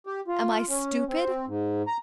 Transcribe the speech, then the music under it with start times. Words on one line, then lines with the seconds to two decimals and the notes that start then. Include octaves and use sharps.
Am I stupid?
0.07 G4
0.28 F4
0.69 C#4
1.08 C4
1.47 G#2
1.87 A#5